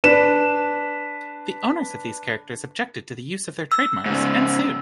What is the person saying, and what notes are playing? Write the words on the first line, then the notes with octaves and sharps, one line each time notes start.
The owners of these characters objected to the use of their trademarks and sued.
D4 B4 E7
E6
G#2 C#3